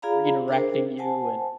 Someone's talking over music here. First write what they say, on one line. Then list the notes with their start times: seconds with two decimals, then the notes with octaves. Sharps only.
redirecting you, and
0.02 F4 G#4 D5 F5 A#5 B5
0.48 D4 G#4 A#4 C5
0.98 C5 F#5 G#5 A5